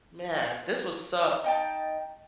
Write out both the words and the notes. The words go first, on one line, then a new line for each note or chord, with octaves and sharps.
Man, this was so
D#4 G5 A5